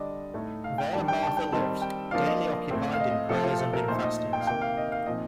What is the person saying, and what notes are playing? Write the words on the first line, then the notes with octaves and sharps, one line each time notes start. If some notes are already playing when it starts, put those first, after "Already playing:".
There Martha lived, daily occupied in prayers and in fastings.
Already playing: D3 G3 D4 D5 D#5
A2 A3 D#4
F5
G5
D#3 G3 D4 A5
G5
A5
G5
D#3 G3 C4 D#4 A5
G5
F3 A#3 D4 F5
D#5
A2 A3 C4
F5
D#5
D#5
C3 F3 A3 C4 A4
F4
A4
A#4
A#2 A3 D#4 C5
D#5
D#5
G5
F5
C3 D#3 A#3 G5
F5
D#5
F5
A#2 F3 C4 D#4 D#5